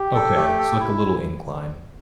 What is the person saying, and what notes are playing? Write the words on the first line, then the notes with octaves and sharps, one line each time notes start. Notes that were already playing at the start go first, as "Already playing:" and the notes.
Okay. It's like a little incline.
Already playing: G4
A4
A3 G4
A4
E4